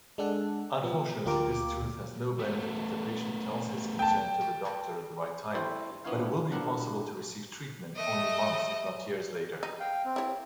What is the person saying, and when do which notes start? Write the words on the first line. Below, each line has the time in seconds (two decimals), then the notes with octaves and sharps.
Unfortunately, this truth has no benefit if the patient tells his concern to the doctor at the right time, but it will be possible to receive treatment only months, if not years later.
0.18 G#3 D4 A4 F#5
0.83 F3 B3
1.25 D2 A#3 F4 G4 A#4 D6
2.39 A3 B3
3.99 G5 A5
5.55 G3 C4 E4 A4 C5 C#5
6.05 F3 B3 D4 E4 C#5 F5
6.52 B1 A2 F3 D4 A#4 F#5
7.96 A3 D#5
9.63 D#4
9.80 F5 G5
10.05 C4
10.16 E4 C#5